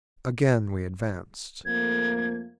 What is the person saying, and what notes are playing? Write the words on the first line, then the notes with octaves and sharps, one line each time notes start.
Again we advanced.
F2 A3 A#3 G#6